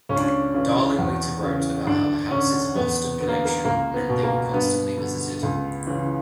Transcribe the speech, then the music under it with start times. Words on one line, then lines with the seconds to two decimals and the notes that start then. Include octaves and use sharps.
Darling later wrote about how the house's Austen connection meant they were constantly visited.
0.09 C#2 C#4
0.16 D4
0.23 C#4
0.54 C#3 E3
0.99 E2
1.42 C#3 E3
1.87 D2 D4
2.31 D3 C#4
2.76 E2 B3
3.20 D3 B3
3.28 A#3
3.45 A#3
3.65 C#2 A#3
3.94 B3
4.09 B2
4.23 A#3
4.53 G2 B3
4.98 D3
5.43 C#2
5.87 C#3 E3